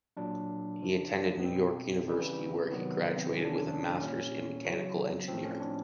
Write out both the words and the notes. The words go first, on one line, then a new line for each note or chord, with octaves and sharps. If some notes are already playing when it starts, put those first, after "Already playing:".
He attended Ney York university where he graduated with a Master in mechanical engineering.
A#2 F#3 D4
C#3 F3
B3
B2 G3 C4
C#3 E3 G3
C3 D#3 F#3 B3
C4
C3 D#3 G3 C#4
D4
C#4
D4
A#2 G3 C#4
C#3 F#3
A2 F3 C4
C#4
D4